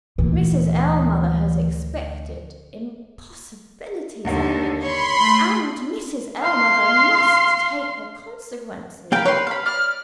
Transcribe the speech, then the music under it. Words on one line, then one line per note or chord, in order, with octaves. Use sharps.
Mrs. Ellmother has expected impossibilities of me; and Mrs. Ellmother must take the consequences.
D2 A#2 E3
D#2 D3
C#5 B5 C6
A3
F5 C6
A#3 F5 G5 B5
B4 C#5 C6
F5 B5
D5 F6